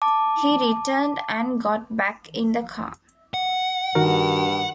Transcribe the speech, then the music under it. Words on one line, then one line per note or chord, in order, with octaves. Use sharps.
He returned and got back in the car.
A5 D6
F#5
G2 D#3 F#4 A#4